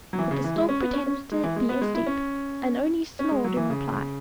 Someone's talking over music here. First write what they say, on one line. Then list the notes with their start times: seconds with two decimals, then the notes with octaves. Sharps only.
But the Stork pretended to be asleep, and only snored in reply.
0.13 F#3
0.19 E3
0.31 C#3
0.44 E3
0.56 G#3
0.69 C#4
0.81 B3
0.93 C#4
1.07 C#4
1.32 G#3
1.44 E3
1.56 G#3
1.69 B3
1.81 G#3
1.94 E4
2.06 C#4
3.19 C#4
3.31 G#3
3.44 F#3
3.57 E3
3.70 C#3